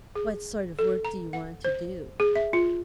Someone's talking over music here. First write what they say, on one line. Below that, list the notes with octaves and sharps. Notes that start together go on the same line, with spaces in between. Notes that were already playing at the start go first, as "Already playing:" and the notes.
"What sort of work do you want to do?"
G#4
A4
A#5
F#5
C5
G#4
E5
F4